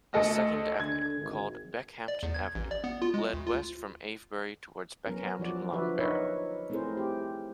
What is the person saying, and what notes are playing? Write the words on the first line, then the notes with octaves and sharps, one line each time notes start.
A second avenue, called Beckhampton Avenue led west from Avebury towards Beckhampton Long Barrow.
D2 A3 A4 D#5
D3 G#6
G#1
D5
E2
G#6
A1
D5
B3
F4
G#3
D2
F4
F#3 B3 C#4 A#4
F3 F#4 D5
D3 F3 F#4 B4 D5 E5
D#4 A#4 B4 C#5 E5
A3 C4 E4 G#4 A#4 C5
G4